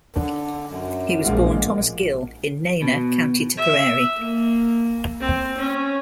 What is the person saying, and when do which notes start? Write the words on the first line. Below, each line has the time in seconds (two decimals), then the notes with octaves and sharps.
He was born Thomas Gill in Nenagh, County Tipperary.
0.16 D3 D4
0.70 F#2
1.24 A#1 G#3 A#3 F4 F#5
2.82 B2
3.57 E5
4.17 A#3
5.20 C4
5.58 C#4